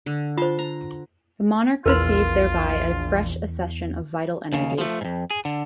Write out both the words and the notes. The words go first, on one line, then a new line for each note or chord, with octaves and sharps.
The monarch received thereby a fresh accession of vital energy.
D3
F4 C5 A5 C6
A#5
A#1 E2 F4 A#4 B4 C6
D#2 C#3
F3 A3
F2 G#2
G#4
D3